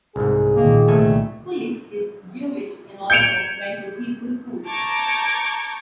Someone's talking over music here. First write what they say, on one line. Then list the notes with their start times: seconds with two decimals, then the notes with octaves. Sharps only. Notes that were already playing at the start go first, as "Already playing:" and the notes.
Kulick is Jewish and also went to Hebrew school.
0.16 C2 G#2 G#4
0.55 A#2 D#3 A#3
0.88 C2 A3 A4 G#5
3.10 G6 G#6 C#7 D7 E7 F7
4.69 A5 A#5 C#6 D6 G6 G#6